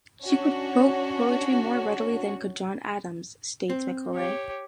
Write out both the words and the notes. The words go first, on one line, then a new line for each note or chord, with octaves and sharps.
"She could quote poetry more readily than could John Adams," states McCullogh.
C#4 D4 F#4 C#5
C4
G4 C#5